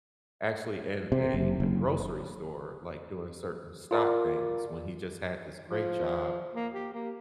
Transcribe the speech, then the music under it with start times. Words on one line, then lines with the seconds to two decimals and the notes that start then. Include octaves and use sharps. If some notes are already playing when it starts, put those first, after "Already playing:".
actually in a a grocery store, like, doing certain stock things when he just had this great job,
1.12 C3
1.34 F#1
1.60 F#1
3.91 F4 A#4 D5
5.69 F3
6.55 A#3
6.73 G4
6.93 A#3